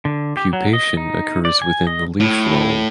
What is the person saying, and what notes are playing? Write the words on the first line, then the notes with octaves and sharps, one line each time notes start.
Pupation occurs within the leaf roll.
D3
G4
F#3
D#5
D#4
D5
G#5
D#5
A2